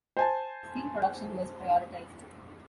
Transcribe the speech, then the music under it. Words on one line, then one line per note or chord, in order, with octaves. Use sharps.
Steel production was prioritized.
C5 G#5 A5